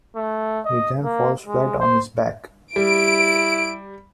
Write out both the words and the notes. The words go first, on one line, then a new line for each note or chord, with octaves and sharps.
He then falls flat on his back.
A3
D#5
A#3
G#3
C5
G3 E4 D7